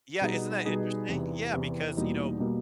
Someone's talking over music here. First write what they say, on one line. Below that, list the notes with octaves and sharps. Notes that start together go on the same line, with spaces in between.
Yeah, isn't that interesting? Yeah, because, you know,
B2 G3 B3 D#4 G#4
B2 G3 B3 D#4 G#4
E2 C3 E3
E2 C3 E3
E2 B2 G3 A#3 D#4
B2 G3 A#3 D#4